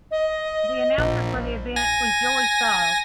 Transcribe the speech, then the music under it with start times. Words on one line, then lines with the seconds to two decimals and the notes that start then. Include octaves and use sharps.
The announcer for the event was Joey Styles.
0.11 D#5
0.98 A#1
1.76 G#5 A#6